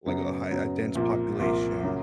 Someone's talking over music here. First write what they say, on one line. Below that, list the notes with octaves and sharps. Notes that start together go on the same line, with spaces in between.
like, a high a dense population,
F#2 C#3 F#3 B3
F#2 C#3 F#3 B3
C2 A#2 F3 A#3
C2 A#2 F3 A#3
C#3 F#3 A#3